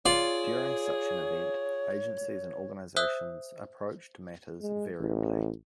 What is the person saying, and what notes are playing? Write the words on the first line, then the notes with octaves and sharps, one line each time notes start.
During such an event, agencies and organizations approach matters variably.
F4 G#4 C#5 D5
C5 E5 D#6 E6 F#6 G7
G#3
A1